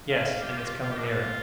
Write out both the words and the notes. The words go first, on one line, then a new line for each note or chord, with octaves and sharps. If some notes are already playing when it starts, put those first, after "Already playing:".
"Yes, and it's coming nearer."
F5
G4
F4
G4
F4
F4
G4
D4
F4